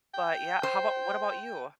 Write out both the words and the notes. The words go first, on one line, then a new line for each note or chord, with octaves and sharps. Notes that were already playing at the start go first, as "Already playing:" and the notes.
But yeah. How about What about you?
G5
C5